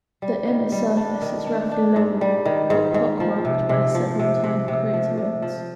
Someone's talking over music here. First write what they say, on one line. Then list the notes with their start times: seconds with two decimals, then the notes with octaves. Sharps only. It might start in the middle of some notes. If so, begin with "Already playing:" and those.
The inner surface is roughly level, but pock-marked by several tiny craterlets.
0.22 G3
0.47 D#3
0.72 G3
0.97 D4
1.22 D#3
1.47 D4
1.72 D4
1.96 G#2
2.21 G3
2.45 D#3
2.70 G#2
2.94 G#2
3.20 F3
3.45 C3
3.69 C3
3.95 F3
4.19 C3
4.44 C3
4.68 C3
4.93 F3
5.18 C3
5.42 F3